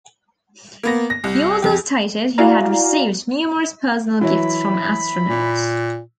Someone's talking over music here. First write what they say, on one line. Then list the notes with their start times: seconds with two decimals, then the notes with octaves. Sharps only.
He also stated he had received numerous personal gifts from astronauts.
0.83 A#3 B3 A#6
1.10 A#6
1.24 C2
1.62 F2 G4
2.38 E4 F#4 D5 F5 G#5 A#5
4.21 E3 F#3 E4 B5
5.28 A#2